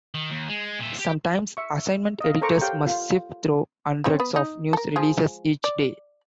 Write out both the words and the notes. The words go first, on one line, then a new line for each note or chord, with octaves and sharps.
Sometimes, assignment editors must sift through hundreds of news releases each day.
D#3
D#2
G#3
A#2 E5
G4
E5 C#6
D#5 F5
A4 A#4 C5 A#5 C#6 D6
G4 C#5 F5 G5
F4
C#3 C4 C#5
B3 B4
D#4
A4 A#4
F3 G#3 G#4
D5